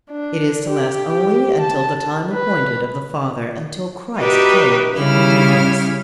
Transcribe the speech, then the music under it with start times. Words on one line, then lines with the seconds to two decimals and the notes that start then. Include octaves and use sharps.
It is to last only until "the time appointed of the father," until Christ came and redeemed us.
0.11 D4
0.70 G4
1.60 A5
2.32 B4
4.18 D#4 F#4 G4 B4 D5 E5
4.95 C#3 G3 E4 B5 F6